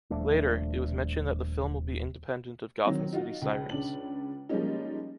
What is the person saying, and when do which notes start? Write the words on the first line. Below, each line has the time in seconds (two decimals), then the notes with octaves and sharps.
Later, it was mentioned that the film will be independent of Gotham City Sirens.
0.10 D#1 F3 A3 D4
2.85 D#3 F#3 C4
3.13 D#4 F4 F#4
3.42 C#2
3.69 C#2 C#4 D4 F#7
4.49 F3 G3 G#3 A#3 C#4 D#4